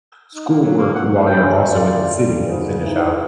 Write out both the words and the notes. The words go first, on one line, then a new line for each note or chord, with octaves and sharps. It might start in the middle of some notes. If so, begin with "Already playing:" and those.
school work while you're also in the city, and finish out
D#4
A#3
F#3
A#3
F#5
A3 A#3 G#4 C#5 G5
C#4
A#3 E4 F4 G4 D5
D3 G3
G#2 C#3
E3 D#4